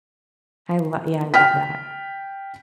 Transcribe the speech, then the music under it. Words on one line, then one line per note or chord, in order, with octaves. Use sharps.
I lo yeah, I love that.
G5 F6 B6